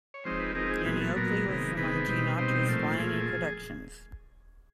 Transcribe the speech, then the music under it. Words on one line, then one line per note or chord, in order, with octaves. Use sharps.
"Annie Oakley" was among Gene Autry's Flying A Productions.
C#5
F3 G#3 C4 D#4 C5
B4
F3 G#3 C4 D#4 A#4
G#4
A#2 F#3 B3 G#4
A4
A#2 F#3 B3 A#4
C3 D#3 G#3 B3
C3 D#3 G#3 B3 B4
B2 G3 C4 D#4
B2 G3 C4 D#4 C5
A#2 F3 A3 C5
A#2 F3 A3 G#4